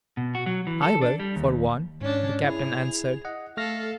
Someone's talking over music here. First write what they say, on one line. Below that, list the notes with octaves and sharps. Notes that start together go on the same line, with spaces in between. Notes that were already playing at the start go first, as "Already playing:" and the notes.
"I will, for one," the Captain answered.
B2
F#4
F#3
E3
A4
D4
G3
D#2
G#2 C#4 D4
E4 G#4 F7
D#5 F#5
A3 A4 F5 F6 A#6